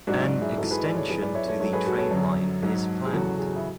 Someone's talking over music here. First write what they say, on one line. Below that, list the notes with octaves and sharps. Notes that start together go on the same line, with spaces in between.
An extension to the train line is planned.
G#2 F#3 D4 F#4
D4 F#4
E4 G#4
G#2 E3 F#4 A4
G#4 B4
B4 D5
A4 C#5
F#2 E3 G#4 B4
B4 D5
C#5 E5
A4 C#5
G#2 F#3 A4 C#5
G#4 B4
F#4 A4
A4 C#5
F#2 D3 F#3
G#2 F#3
G#4
E2 C#3 F#3 F#4 A4
G#4
F#4
E4